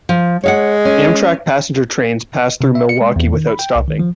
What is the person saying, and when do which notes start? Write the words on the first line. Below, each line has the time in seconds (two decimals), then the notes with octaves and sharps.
Amtrak passenger trains pass through Milwaukie without stopping.
0.09 F3
0.43 G#3 C#5 F5 F#5
0.85 C#4
2.61 C3
2.75 E5
2.89 C#7
3.01 G#3
3.16 E2
3.33 D#3
3.47 B5
3.59 G5
3.76 C2
3.88 D#3
4.00 F3